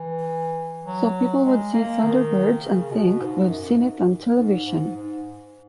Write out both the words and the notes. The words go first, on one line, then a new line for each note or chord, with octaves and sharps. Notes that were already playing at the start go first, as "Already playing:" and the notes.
So people would see "Thunderbirds" and think, 'We've seen it on television.
Already playing: E3
F#3
G#3
A#3
D#3
C#3
B2
G#2
F#2
G#2
G#2
G#2
G#2